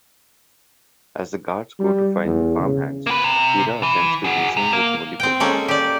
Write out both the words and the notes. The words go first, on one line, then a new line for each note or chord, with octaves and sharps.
As the guards go to find the farmhands, Kira attempts to reason with Mullibok.
G3
E2
C#3
A#3 B4
C3
E3
F#4 G#4
C3
A#3
C4 G5
G#3 A#3 C#4 A4
G4 D5